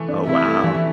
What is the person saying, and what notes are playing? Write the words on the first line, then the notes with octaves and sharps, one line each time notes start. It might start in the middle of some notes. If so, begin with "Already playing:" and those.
Oh, wow.
Already playing: E3 A3
D4
C3 E4
A3
E3